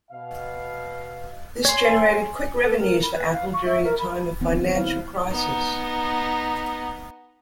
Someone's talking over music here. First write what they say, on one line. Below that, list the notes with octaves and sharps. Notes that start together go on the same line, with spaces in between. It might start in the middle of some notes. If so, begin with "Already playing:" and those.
This generated quick revenues for Apple during a time of financial crisis.
B2 F5
C#5 G#5 C6
A4
A#4
B5
B4
F5
C#6
E5
A#4
B5
D#3 B3 C4
E4 B4 F5
B3 D#4